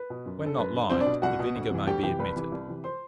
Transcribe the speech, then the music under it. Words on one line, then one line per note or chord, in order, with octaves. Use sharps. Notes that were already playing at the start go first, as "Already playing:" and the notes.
When not liked, the vinegar may be omitted.
Already playing: B4
B2
F#2
D3 A4
F#2 B4
D3
C2 C4 C5
D4 D5
B2
C2 F#4 F#5
B2
D2
C3 E3
D2 G4 G5
C3 E3 G4 G5
C2 B4 B5
C3 E3
C2
C3 E3
C5 C6